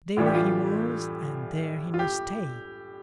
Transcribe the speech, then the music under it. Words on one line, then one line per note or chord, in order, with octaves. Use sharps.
There he was, and there he must stay.
A2 E3 G3 D4 F4
G4
F4
F4
G4